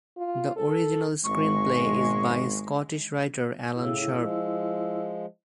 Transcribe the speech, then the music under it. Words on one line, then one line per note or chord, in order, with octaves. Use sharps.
The original screenplay is by Scottish writer Alan Sharp.
F4
A4
G#1 G#3 C#6
A2 C#3 E4 E6
F3 G#3